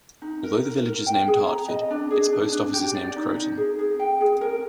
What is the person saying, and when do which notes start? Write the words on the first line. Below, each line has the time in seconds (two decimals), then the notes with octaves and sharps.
Although the village is named Hartford, its post office is named Croton.
0.22 D#4
0.44 A#4
0.65 A#4
0.86 A#4
1.06 G5
1.28 G#4
1.48 A#5
1.68 D#5
1.91 D4
2.10 G#4
2.32 D4
2.52 D4
2.74 G4
2.95 D5
3.16 D#4
3.36 D#4
3.57 G#4
3.79 G#4
3.99 G5
4.21 G#4
4.41 A#4